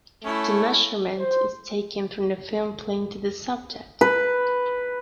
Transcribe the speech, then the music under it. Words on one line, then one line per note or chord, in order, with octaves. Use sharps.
The measurement is taken from the film plane to the subject.
A3 C#4 E4
C5
B4